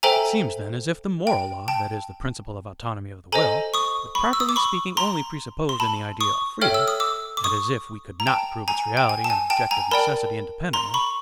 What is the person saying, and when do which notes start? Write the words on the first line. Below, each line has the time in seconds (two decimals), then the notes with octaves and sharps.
It seems then as if the moral law, that is, the principle of autonomy of the will, were properly speaking only presupposed in the idea of freedom, and as if we could not prove its reality and objective necessity independently.
0.03 A4 C5 E5 G5 G#5 A#5
1.27 G5
1.68 G5 A5
3.32 A4 C5 D#5 G#5 A#5
3.74 C#6 D#6
4.15 B5 C#6
4.33 E6
4.40 D#6
4.49 D6
4.56 B5 C#6
4.97 A#5 C6
5.69 C6
5.80 A5 B5
6.20 C#6 D#6
6.62 A4 C#5 E5 G5 F6
6.74 E6
6.88 D#6
7.00 D6 E6
7.37 D6
7.44 C#6 D#6
8.20 A#5
8.27 G5 A5
8.68 G#5 A#5
8.97 G5
9.09 G#5
9.24 A5
9.30 G#5
9.50 G5 A5
9.71 G#5 A#5
9.91 A#4 D5 G5 A5 B5
10.73 A#5 C6
10.94 B5 C#6